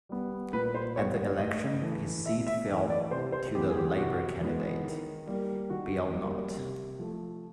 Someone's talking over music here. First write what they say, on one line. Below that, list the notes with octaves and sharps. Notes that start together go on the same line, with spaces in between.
At the election, his seat fell to the Labor candidate, Bill Knott.
G3 B3
A#2 B4
C5
G3 B3 C#5
A2 D#5
E3 A3
A2 E5
E5
E3 A3 D#5
D5
C3 C5
C5
E3 G#3 B3 G4
G#4
G4
C3 F#4
E3 G#3 B3
D#3
G3 A#3
D#3 F#4
G3 A#3
C3
F3 A3